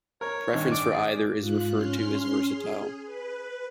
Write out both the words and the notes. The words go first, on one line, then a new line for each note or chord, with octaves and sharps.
Preference for either is referred to as "versatile".
A#4 C#5
G#1 G2
D5 D6
G#4 D5
G#2 F4 F#6
C#4 C6 F6 C7
G#4
B4